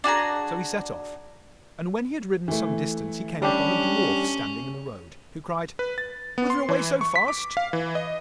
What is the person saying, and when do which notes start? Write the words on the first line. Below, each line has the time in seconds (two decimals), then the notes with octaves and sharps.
So he set off, and when he had ridden some distance he came upon a Dwarf standing in the road, who cried, 'Whither away so fast?'
0.04 D4 F#4 G#4 A#5
2.48 E3 A3
3.42 G3 C#4 D4 G4
5.79 B4
5.98 A6
6.38 B3
6.50 C6
6.69 E3
7.01 C#6
7.16 B6
7.28 D6
7.57 F5
7.73 E3
7.95 D#5